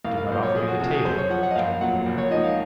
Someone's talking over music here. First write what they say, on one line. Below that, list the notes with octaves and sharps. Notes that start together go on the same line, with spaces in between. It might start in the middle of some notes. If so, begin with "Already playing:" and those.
"I did not offer you the table," returned the broker.
C2 F5
F5
A#2 F#3 C5
C#5
F2 G#4
F#4
C3 F3 F#4
G#4
F#2 C5
C#5
F3 F#5
F#5
D#5
A#1 F5
A#2 F#3 F#5
A#1
C#5
G#2 F3 D#5
F5